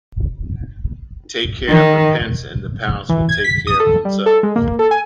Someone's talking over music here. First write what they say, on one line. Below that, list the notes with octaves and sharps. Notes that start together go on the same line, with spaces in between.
Take care of the pence and the pounds will take care of themselves.
D#3
E3
G#6
B6
D#6
A4
G3
A4
G#3
A#3
A4
G#5